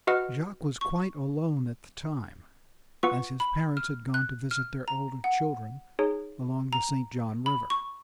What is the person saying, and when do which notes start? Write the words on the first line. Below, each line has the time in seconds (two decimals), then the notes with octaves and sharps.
Jacques was quite alone at the time, as his parents had gone to visit their older children along the St. John River.
0.07 F#4 B4 D#5 F#5 F6
0.81 C#6
3.03 B3 F4 B4 F#5 C#6
3.40 B5
3.77 F6
4.14 F#6
4.51 F6
4.88 A#5
5.24 F#5
5.99 D#4 G#4 C#5
6.73 A#5
7.46 B5
7.70 C#6